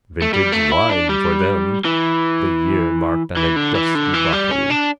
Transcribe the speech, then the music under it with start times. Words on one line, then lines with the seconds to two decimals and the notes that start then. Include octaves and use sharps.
Vintage wine for them, the year marked on a dusty bottle.
0.22 A3
0.33 G3
0.52 A3
0.72 E4
0.89 D4
1.09 G3
1.85 E3
3.37 E3
3.56 D3
3.75 E3
3.95 D3
4.14 E3
4.33 G3
4.51 C#4
4.70 D4